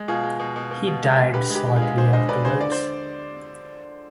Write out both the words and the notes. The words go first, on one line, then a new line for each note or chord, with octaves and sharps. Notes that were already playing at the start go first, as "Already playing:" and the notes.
He died shortly afterwards.
Already playing: G#3
B2 F4 G#4
G#3
B2
B2
B2
B2
G#3
G#3
D3 G4 B4
G#3
G4 B4
D3
F4 G#4
G#3
D3 G#4 C5
D3 C5 D#5
D3 B4 D5
D3 G#4 C5
D3 D5
D3 C5